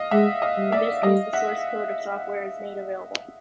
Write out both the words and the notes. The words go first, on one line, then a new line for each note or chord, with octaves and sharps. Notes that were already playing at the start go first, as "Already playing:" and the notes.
In this case the source code of the software is made available.
Already playing: D#5 F5
G#3 E5 F#5
D#5 F5
G3
D5 E5
G3 D#5 F5
E5 F#5